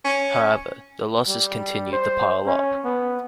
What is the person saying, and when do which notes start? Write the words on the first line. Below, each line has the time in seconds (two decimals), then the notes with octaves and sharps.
However, the losses continued to pile up.
0.05 C#4
1.28 G3
1.93 C5
2.46 C#4
2.85 B3